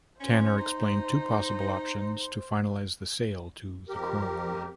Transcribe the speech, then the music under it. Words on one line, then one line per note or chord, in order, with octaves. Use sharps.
Tanner explained two possible options to finalize the sale to the "Krone".
C#4 C5
D#4
F2 G4 A#4